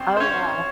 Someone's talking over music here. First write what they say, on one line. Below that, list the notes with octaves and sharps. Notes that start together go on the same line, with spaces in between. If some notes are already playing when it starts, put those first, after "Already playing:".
Oh, yeah.
Already playing: G#1 C4 C5
C5
C#4 C#5